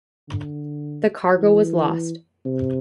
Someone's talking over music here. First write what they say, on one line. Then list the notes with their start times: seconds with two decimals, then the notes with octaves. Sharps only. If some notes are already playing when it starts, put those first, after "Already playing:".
The cargo was lost.
0.28 D3
1.36 E3
2.45 C3